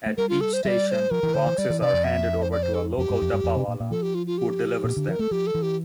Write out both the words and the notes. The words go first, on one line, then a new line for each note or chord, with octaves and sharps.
At each station, boxes are handed over to a local dabbawala, who delivers them.
A3
G3 A#4
F4
A4
C5
G3 D5 E5
D5
C5
F3 A#4
E3
D3 C5
E3
G3 D5
E3
C3 D5
F2
E5
C5
D5
C5
A4
F2 G4
G2
F2
G2
F2
C3
A#2
A#2
F3 A4
G4
F4
F4
G4
A#2
D3
F3 A#4
A3 A4
F3 G4
A4
E3
G4